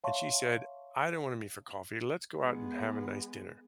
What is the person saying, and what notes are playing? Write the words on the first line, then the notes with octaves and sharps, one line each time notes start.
And she said, "I don't wanna meet for coffee. Let's go out and have a nice dinner."
C#5 E5 F5 A5 C6 C#6
G#3 B3